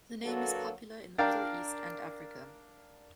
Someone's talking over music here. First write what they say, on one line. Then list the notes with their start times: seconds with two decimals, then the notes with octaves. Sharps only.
The name is popular in the Middle East and Africa.
0.24 D3 F#3 A#3 F#4 A4 B4
1.18 D4 A#4 D5 F5 G5